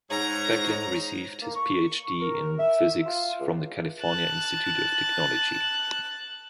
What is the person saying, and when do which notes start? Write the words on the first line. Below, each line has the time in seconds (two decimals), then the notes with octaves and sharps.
Becklin received his Ph.D. in physics from the California Institute of Technology.
0.10 G#2 C#5 A#5
1.41 A#3
1.56 C#6
2.21 A#4
2.59 E5
3.05 F4
3.40 C#2
4.01 A5 F#6